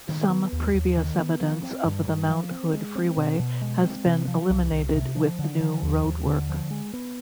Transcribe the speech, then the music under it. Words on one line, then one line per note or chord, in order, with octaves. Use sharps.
Some previous evidence of the Mount Hood Freeway has been eliminated with new roadwork.
D#3
B3
D#2
D#2
D#3
B3
F3
C4
G2
G2
F3
C4
G#3
C4
B2
B2
G#3
C4
C3
F3
C2
C2
C3
F3
D3
F3
D#2
D#2
D3
F3
G#3
B3